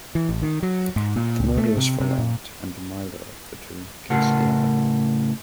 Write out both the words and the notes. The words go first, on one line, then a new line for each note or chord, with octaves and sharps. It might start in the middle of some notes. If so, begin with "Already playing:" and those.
The murderers fall out and the "milder" of the two kills the other.
E3
A1
D#3
F#3
G#2
A#2
C#2
A3
C3
C3
A#2
A2 C#3 A#4 F#5 A5